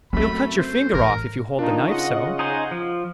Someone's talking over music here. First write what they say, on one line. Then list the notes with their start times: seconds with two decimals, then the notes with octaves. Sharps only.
"You'll cut your finger off, if you hold the knife so!"
0.13 F#2 A3 C4 B5
0.58 C5
0.93 A1 A#4
1.59 D#3 D4 D#4 F4
1.88 C#3 F4 D#5 F#5 C#6
2.39 D#4 G#4 C5
2.71 F3